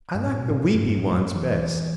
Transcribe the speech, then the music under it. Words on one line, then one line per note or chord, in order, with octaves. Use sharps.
I like the weepy ones best.
G2
A2
B2
A2
A2
G2
G2
A2
F#3
E3